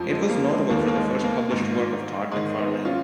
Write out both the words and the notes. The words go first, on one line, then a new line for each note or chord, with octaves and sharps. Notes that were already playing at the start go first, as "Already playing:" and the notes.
It was notable for the first published work of Todd McFarlane.
Already playing: F2 F3
G#3
A#3
G#3
D#2 D#3 A#3
B3
A#3
G#3
B3
A#3
G#2 D#3
G#2 D#3 G#3
B3 D#4
C#4 F4